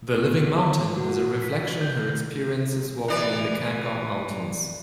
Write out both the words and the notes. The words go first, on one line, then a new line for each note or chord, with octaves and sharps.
"The Living Mountain" is a reflection her experiences walking in the Cairngorm Mountains.
B3
F#4
B6
G6
E3 D5